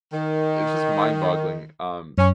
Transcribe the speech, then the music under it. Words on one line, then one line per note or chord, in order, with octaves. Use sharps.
it's just mind-boggling, um,
D#3
F#2 C#4